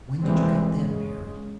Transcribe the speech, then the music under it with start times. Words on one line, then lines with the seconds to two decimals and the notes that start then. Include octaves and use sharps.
"When did you get them, Harry?"
0.22 D#2 E3 G3 G#3 C4
0.71 C#3 G#3